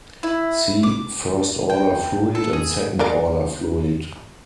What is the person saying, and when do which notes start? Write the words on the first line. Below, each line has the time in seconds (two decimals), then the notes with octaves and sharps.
See first-order fluid and second-order fluid.
0.23 E4
0.83 D6
1.70 G5
2.35 A4
2.53 G#4
2.99 G#3 A#4 D5